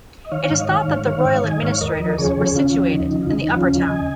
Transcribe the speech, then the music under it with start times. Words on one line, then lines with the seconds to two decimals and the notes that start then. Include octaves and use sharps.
It is thought that the royal administrators were situated in the Upper Town.
0.25 D#5
0.31 D#3 C#5 F5
0.50 G#2
0.61 D#5
0.69 D#3 C#5 F5
0.88 G#2
1.06 D#3 C#5 F5
1.25 G#2 C#5 F5
1.43 D#3 D#5 G#5
1.54 D#5
1.62 G#2 C#5 F5
1.81 D#2 A#4 D#5
2.00 F3
2.18 C#3 G#4 C#5
2.37 D#2
2.46 G#4
2.55 D#2 C#4 F4
2.74 F3
2.93 C#3 D#4
3.11 D#2
3.22 F4
3.30 D#2 D#4
3.49 F3
3.55 C#4 F4
3.68 C#3
3.80 D#5 G#5
3.86 D#2